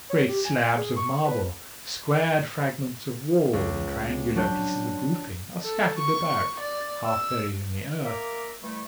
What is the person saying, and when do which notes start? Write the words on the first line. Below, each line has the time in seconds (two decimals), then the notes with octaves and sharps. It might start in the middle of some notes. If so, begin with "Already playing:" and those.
Great slabs of marble, squared fragments of wall and triangular pieces of roofing, are scattered about, half-buried in the earth.
0.10 C#5
0.29 G4
0.45 G#5
0.64 G#5
0.78 G#4
0.97 C#6
1.25 B4
3.53 C#2
4.35 F#3 D4 G6
5.63 A4
5.99 C#6
6.29 C#6
6.60 D5
7.06 E6
8.05 A#3 E5 A#5 D6
8.63 E3 G3 A3